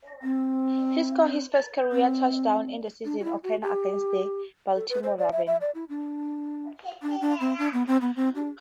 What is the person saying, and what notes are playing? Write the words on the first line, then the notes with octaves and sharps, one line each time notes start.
He scored his first career touchdown in the season opener against the Baltimore Ravens.
C4
C4
D4
F#4
E4
F#4
G4
A4
B4
C5
D5
E5
E5
D5
E4
D4
D4
D4
C4
D4
B3
C4
B3
C4
D4